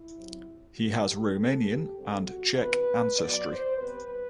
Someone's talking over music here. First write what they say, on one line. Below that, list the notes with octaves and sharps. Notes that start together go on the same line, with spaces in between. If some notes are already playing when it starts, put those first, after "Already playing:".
He has Romanian and Czech ancestry.
Already playing: E4
C3 F#3 C4
D3 A3 C4 F#4
G4
B2 G3 C4 A4
G4
D3 G3 C4 A4
F#4
C3 E3 B3 B4
B2 F#3 B3 D5
C5
C3 G3 B3 B4